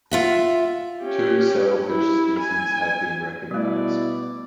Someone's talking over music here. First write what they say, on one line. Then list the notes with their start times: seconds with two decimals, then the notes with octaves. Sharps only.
Two sailfish species have been recognized.
0.11 F4 E5 F#5
1.03 C#4 G4
1.88 E4
2.40 G#5
3.51 B2 G3 A3 E4 D5